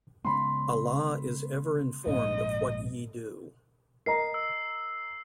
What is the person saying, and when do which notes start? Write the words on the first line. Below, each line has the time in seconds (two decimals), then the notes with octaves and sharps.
Allah is ever Informed of what ye do.
0.25 C#3 G#3 B3 B5 C6
2.07 A#1 G#2 G#3 D#5
4.06 A#4 D#5 A#5 C7
4.34 E6